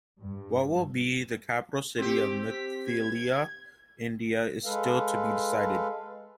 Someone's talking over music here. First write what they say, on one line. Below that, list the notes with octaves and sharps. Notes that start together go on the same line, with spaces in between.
What will be the capital city of Mithila, India is still to be decided.
G2
C4 G4
B6
G#6
G#3 A4 B4 F5